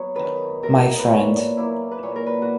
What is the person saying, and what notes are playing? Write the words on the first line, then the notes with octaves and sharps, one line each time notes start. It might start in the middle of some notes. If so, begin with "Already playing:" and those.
My friend.
Already playing: F#3 B3 C#5
D#3 B4
F#3 B3 E4 A#4
B4
A#2 C#5
F#3 A#3 E4
B4
A#2 C#5
A#4
B4
F#4